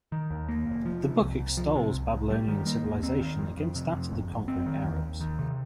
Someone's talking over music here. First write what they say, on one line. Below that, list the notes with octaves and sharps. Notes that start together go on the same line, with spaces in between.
The book extols Babylonian civilization against that of the conquering Arabs.
D#3
D#2
A#3
F1
F3
C3
C2
C2
F3
C3
C2
C2
G3
D#3
A#3
D#2
C4
D#3
F2
F2
C3
F2
G1
G1
C4
D#3
D#2
D#2
D#3
C3